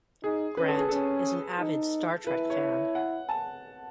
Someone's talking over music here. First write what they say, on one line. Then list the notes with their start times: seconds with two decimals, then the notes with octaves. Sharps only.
Grant is an avid Star Trek fan.
0.23 D#4 G#4
0.57 C#4 B4
0.68 A4
0.78 G#4
0.89 C#4 A4
1.59 D#4
2.27 E4 B4
2.50 C#5
2.95 F#5
3.29 A5